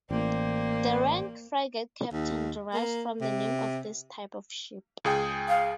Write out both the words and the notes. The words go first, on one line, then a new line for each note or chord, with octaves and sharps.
The rank "frigate captain" derives from the name of this type of ship.
A1 A#3 C5 D5 G5
D#2
A#3
C3
C#2 G#4 G5
F5